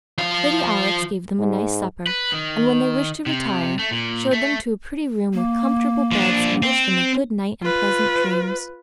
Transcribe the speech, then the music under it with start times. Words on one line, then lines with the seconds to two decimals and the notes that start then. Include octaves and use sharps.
Lady Aurex gave them a nice supper and when they wished to retire showed them to a pretty room with comfortable beds and wished them a good night and pleasant dreams.
0.18 F3 F5
1.39 G#2
2.07 B4
2.32 D#3
3.26 C3
3.79 A3
3.91 A#2
4.33 A3
5.33 A#3
6.12 F3 D4
6.62 C4
7.62 F4 B4